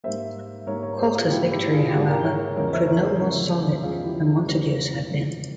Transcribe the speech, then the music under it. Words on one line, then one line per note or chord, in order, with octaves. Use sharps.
Colter's victory, however, proved no more solid than Montague's had been.
G#2 G3 A#3 C5 E5
G#2 G3 A#3 A#4 C#5
A#4 C#5
G#4 C5
F4 G#4
G#2 G3 A#3 E4 G4
E4 G4
F4 G#4
G4
G#2 G3 A#3 F4 G#4
G4 A#4
A#4 C#5
E2 C#3 F3 G#3 A#4 C#5
C5 E5
A#4 C#5
G#4 C5
E2 C#3 F3 G#3 A#4 C#5
E2 C#3 F3 G#3 F4 G#4
E4 G4
E2 C#3 F3 G#3 G4 A#4
F2 C#3 E3 G#3